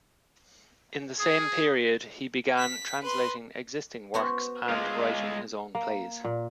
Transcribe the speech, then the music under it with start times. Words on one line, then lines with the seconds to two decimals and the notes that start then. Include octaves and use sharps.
In the same period he began translating existing works and writing his own plays.
1.19 G#4 D#6
2.58 B6
3.03 B4 C6
4.14 B3 F#4 C5
4.70 G#3 F4
5.75 A#3
6.24 A#2